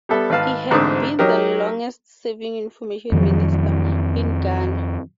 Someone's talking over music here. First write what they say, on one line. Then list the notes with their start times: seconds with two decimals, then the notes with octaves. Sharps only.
He has been the longest serving Information Minister in Ghana.
0.09 G3 B3 A4 E5
0.30 G#1 B4 F5 A5
0.70 A1 G#2 D3 C4 D#6
1.19 F#3 D#4 G4 A#4
3.12 F2 D#3 F3 F#3